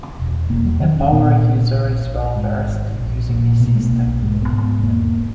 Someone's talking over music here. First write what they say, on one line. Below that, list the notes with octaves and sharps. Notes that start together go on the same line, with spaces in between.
A power user is well versed in using a system.
E1
E1 A#3
F#3
E1 D#3
C#4
A#2 B3
A#2
A#1
A#1
G#2 G#3
G#1
A#1
A#2
B2 B3
A#3
G#3
A#3
B1
G#2 G#3
B3
G#2
B3
G#3
E1 A#3
A#3